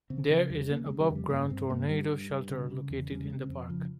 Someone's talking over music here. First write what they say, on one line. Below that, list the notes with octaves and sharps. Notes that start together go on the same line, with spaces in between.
There is an above ground tornado shelter located in the park.
C#3 C4
C#3 F3
E2 G3
C#3 A#3
C#3 G#3
G3
F2
G3
G2 A#3
G2 C4
G2 A#3
G2 G3
G2
G2
C#3
C#3
E2
C#3 G3
G#3
C#3
C4
F2
C#3 F3